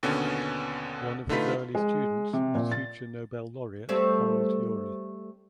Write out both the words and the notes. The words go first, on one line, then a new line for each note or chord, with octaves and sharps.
One of his early students was future Nobel laureate Harold Urey.
D#2 B2 D3 B3 C#4
D3 A3 D#4 F4 B4 B6
G#3
C3
A#2
A6
G3 A3 C4